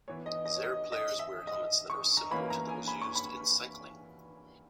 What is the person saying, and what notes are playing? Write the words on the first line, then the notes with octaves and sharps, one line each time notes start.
Xare players wear helmets that are similar to those used in cycling.
E3 B3 C#5
D#5
D#5
C#5
D#5
D#5
E5
D#5
C#6
A#5
E3 A#3 C#4 B5
A#5
G#5
B5
C#6
B5